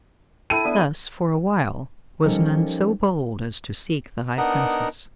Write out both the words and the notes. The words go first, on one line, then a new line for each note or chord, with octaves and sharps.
Thus, for a while, was none so bold as to seek the high Princess.
E4 A4 G5 D#7
B3 D4 E5
F3 G3 C#4 D#4 A4 A#4
B3 D4 D#4 A#4 D#5 F#5